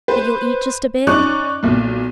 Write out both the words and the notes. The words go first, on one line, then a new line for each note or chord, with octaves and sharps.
But you'll eat just a bit?
B4 C5
C#4 D#4 D5 C#6 D6 F#6
B1 A#2